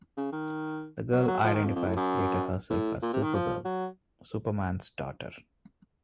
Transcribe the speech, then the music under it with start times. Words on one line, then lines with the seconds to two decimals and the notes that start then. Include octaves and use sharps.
The girl identifies later herself as Supergirl, Superman's daughter.
0.17 C#3
0.33 D#3
1.12 F#3
1.28 F#3
1.44 F3
1.54 D#3
1.65 F2
1.76 F2
1.87 A2
1.96 F#2
2.70 A2
3.02 A#2
3.13 C3
3.23 D#3
3.34 F3
3.65 F#3